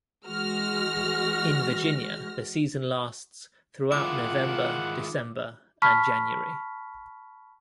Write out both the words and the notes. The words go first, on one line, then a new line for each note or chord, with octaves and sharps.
In Virginia, the season lasts throughout November, December, and January.
E3 G#3 F#4 F6 A#6
D#3 G#3 E4 F4 F#5 D6
A5 B5 C#6 F6 B6